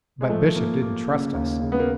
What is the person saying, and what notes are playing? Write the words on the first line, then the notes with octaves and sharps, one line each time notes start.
But Bishop didn't trust us.
G#3
F3 A3
A#3
A#3
C#3
D#2
C#3
B3
A#3